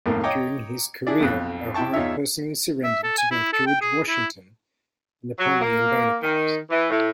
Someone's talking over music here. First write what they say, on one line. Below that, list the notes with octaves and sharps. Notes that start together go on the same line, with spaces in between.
During his career O'Hara personally surrendered to both George Washington and Napoleon Bonaparte.
B1 F2 A2 D#3 A#3
C#5 D#5 G5 A#5 D6
D4 E4 G#4 D5
B1 F2 F#6
C3 E4 G5 A5 C#6
E2 D#4 F4 C#5 E5
E5
A4
G#5
E4
A4
G5
G#4
E4
F#3
A#3
D#3
E3
A2